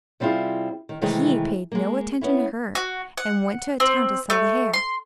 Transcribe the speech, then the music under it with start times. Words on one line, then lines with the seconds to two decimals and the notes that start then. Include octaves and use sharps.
But he paid no attention to her, and went to a town to sell the hair.
0.20 C3 G3 C4 E4 F4 G#4
0.89 D#3
1.01 C3 D#3 E3 G#3 A3 D#4
1.72 G#3 A#3
2.21 B3 C#4 E4
2.75 F#4
3.17 F#5
3.80 C4
4.30 A3
4.73 C6